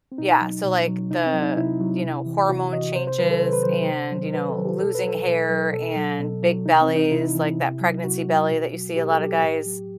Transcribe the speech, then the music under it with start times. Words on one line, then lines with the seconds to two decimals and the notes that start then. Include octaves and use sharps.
yeah, so, like, the, you know, hormone changes and, you know, losing hair and big bellies, like that pregnancy belly that you see a lot of guys,
0.12 C4
0.18 B2 D#4
0.41 F#3
0.65 B2
0.88 F#3
1.11 C3 D#4
1.26 C4
1.33 F#3
1.42 D#4
1.57 C3 E4
1.80 F#3
2.04 C3
2.26 E3
2.49 C3 F#4
2.73 E3 D#5
2.95 C3 C5
3.07 C5
3.19 D#3 F#3 B4
3.30 A4
3.42 C3 C5
3.53 B4
3.63 D#3 F#3 C5
3.88 C3
4.11 D#3 F#3
4.34 C3 B4
4.50 A4
4.58 D#3 F#3
4.65 G4
4.80 B2 A4
4.95 B4
5.04 F#3 A4
5.26 B2
5.50 F#3
5.73 B2 A4
5.96 F#3
6.19 B2
6.43 F#3
6.66 C3 D#4
6.81 C4
6.88 E3
6.96 D#4
7.11 C3 E4
7.35 E3
7.58 C3
7.81 F#3
8.04 C3 F#4
8.28 F#3
8.51 B2
8.74 F#3
8.96 B2 G4
9.11 A4
9.19 F#3 G4
9.43 A2
9.66 F#3